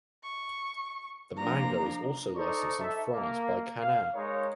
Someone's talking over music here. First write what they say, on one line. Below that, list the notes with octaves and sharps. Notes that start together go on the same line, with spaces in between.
The manga is also licensed in France by Kana.
C#6
F3 A#3 D4 A#5
D#4 A4 C5 D5 A#5 C#6
A4 E5
A#3
F5
G#3 D#4 A#4 C#5